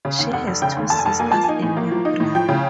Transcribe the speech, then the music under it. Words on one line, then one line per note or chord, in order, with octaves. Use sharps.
She has two sisters and one brother.
C#3
D#2
F1 F#5
F1
C#3 G5
D#2
F1 A5
G#5
F1 A5
A#3 G#5
F3 A5
D#4 G#5
A2
A#3
F3
D#4
A2
F3 G5
C#3